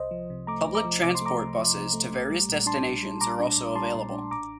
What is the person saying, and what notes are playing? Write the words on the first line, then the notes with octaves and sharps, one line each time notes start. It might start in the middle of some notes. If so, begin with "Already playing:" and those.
Public transport buses to various destinations are also available.
Already playing: C2 C5 D#5
F3
C3
A3 A#5 D6
C2
A#5 D6
F3
C3 D6
C6
A3 A#5 D6
C2
F3
C3
A3
A#1
G3
A#2
D4 A5 C6
A#1
G3
A#2 A#5 D6
D4
A#1
G3 A5 C6
A#2
D4
A1 A#5 D6